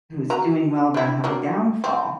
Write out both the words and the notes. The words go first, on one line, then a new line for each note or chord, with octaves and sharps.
who's doing well to have a downfall."
F#4 B4 A#5
D4 E4
F#3 A#3 D4
C4